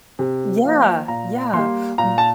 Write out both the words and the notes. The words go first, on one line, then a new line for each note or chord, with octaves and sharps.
Yeah, yeah, w
C3
F3 A#3
A#2 A#5
G3 A#3 C6
A#2 A#5
A5